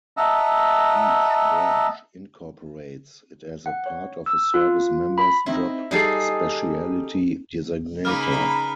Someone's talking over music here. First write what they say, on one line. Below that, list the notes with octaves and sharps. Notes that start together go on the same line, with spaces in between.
Each branch incorporates it as part of a service member's job specialty designator.
D#5 E5 F#5 A5 A#5 E6
F#5
C#5
E6
F4
B5
C4 D#4 E4
G3 D#4 G#4 A4 C7
C#3 A#3 D#4 B4 B5 F6